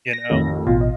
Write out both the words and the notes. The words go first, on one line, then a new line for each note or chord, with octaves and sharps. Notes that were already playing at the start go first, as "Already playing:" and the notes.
You know?
A#6
A1 F2 D#3
A1 B2 F4
F4 D#5